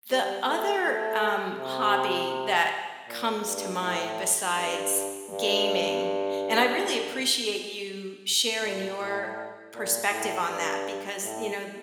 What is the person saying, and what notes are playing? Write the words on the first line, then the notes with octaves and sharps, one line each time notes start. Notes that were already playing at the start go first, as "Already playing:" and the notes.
The other, um, hobby that comes to mind besides gaming, and I really appreciate you sharing your perspective on that because, you know,
G3
A3
A3
C3
A#2
G2
A2
G2
G2
A#2
A2
A#2
A2
G2
A2